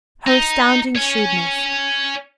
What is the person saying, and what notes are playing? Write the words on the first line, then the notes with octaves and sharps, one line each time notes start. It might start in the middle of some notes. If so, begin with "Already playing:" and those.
Her astounding shrewdness!
D#4
C#5 G#5